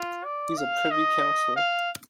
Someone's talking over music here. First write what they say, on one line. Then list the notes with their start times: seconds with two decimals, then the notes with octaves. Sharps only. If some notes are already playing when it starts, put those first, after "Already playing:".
He is a Privy Counsellor.
Already playing: F4
0.24 D5
0.57 F5
0.91 D#5
1.56 F5